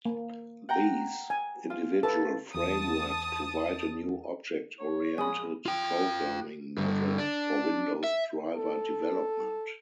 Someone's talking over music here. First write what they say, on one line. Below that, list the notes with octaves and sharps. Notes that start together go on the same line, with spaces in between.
These individual frameworks provide a new object-oriented programming model for Windows driver development.
A#3
F#5 G5 A#5
G#5
F4
A4 B4 A5
E2 A5 D#6
C#5
A#1 G#3 G#5 B5 D#6
F4 G5
G2 D3
D4
E5
A4